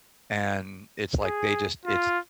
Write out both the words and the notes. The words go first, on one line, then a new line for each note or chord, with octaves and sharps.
and, it's like they just it's
G#4
F4